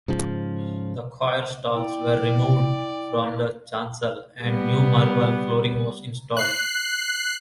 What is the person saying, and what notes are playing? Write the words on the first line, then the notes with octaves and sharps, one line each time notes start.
The choir stalls were removed from the chancel and new marble flooring was installed.
G#2 C#3 F3
E4 D5 G5
G3 B3
F#6 C7